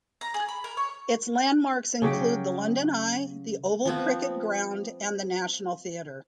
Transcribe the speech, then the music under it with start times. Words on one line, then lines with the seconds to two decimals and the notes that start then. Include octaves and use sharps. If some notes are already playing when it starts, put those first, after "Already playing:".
Its landmarks include the London Eye, the Oval cricket ground and the National Theatre.
0.21 A#5
0.34 G#4
0.48 B5
0.64 A#4
0.77 C#5
2.02 C#3 F#3 G4 G5
3.85 F3 B3 C4